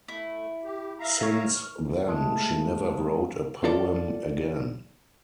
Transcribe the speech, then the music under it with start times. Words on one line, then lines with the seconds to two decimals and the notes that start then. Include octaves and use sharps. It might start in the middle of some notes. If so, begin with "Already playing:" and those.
Since then she never wrote a poem again.
0.08 A3 E4
0.64 G4
0.99 E5 F5 A#5
1.23 C#5
1.46 F6
2.07 G#3 A3
3.64 F4 A4 D5